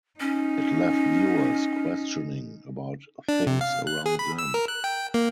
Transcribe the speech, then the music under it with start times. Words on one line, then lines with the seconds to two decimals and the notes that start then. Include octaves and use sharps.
It left viewers questioning about things around them.
0.20 C#4 D#4
3.29 D4
3.47 C3
3.61 F5
3.87 F#6
4.06 G#4
4.19 B5
4.39 E6
4.54 A#4
4.68 F#6
4.84 G5
5.14 A#3